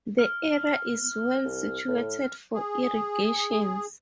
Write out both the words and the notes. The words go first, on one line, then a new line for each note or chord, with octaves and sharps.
The area is well suited for irrigations.
F6
C2
A2
G#4